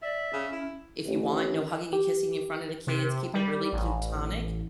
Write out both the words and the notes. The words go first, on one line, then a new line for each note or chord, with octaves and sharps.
if you want, no hugging and kissing in front of the kids, keep it really platonic
D5 E5
C#3 C#4
E4
A1
G4
C3
G3
A1